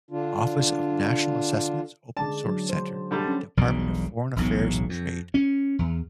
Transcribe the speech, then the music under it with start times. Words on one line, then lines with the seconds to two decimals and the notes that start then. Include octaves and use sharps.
Office of National Assessments Open Source Centre, Department of Foreign Affairs and Trade.
0.11 D3 D4 F4
2.17 D3 G#3 D5 A5
2.46 F#3
2.69 C5
3.11 D3 G3 A3
3.27 C#4
3.57 E1 B1 B2 G3
4.36 E1 B1 A2
4.89 F2
5.34 C#4
5.79 E2